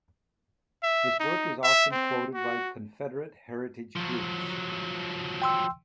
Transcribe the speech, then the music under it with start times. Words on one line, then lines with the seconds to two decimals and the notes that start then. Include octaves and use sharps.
His work is often quoted by Confederate heritage groups.
0.83 E5
1.20 D#4
1.63 E5
1.92 C4
2.34 F#4
3.96 F3 F#3
5.42 G5 C6 E6